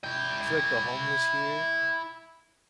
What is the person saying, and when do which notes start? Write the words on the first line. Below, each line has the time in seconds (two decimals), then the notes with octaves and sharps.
I feel like the homeless here
0.04 E4 G5